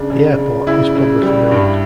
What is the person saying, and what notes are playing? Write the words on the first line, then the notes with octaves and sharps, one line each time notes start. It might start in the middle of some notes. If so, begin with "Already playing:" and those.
The airport is publicly owned.
Already playing: C#3 D4
C#3
C#3
C#3 E4
C#3
G3
G2